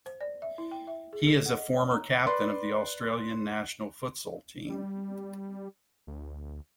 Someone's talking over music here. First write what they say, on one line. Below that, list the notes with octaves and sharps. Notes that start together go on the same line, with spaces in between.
He is a former captain of the Australian national futsal team.
C5
D5
E5
E4
G5
E5
G#4
A4
F#5
D#5
C#5
A#5
B4 D5 C6
G3
D2